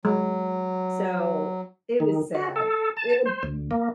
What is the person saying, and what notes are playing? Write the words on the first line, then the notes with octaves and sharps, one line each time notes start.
So, it was sad. It
F#3 G#3
D#3
F#4
A4
A5
C5
D2
A#3